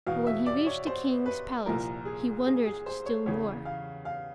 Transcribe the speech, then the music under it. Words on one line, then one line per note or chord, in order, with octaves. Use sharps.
But when he reached the King's palace, he wondered still more.
E2 B2 F5
E5
D5
C#5
C5
B4
C2 A#2 F3 A#4
G#4
G#4
G#4
C5
C#5
E2 C#3 E3 C#5
F5
F5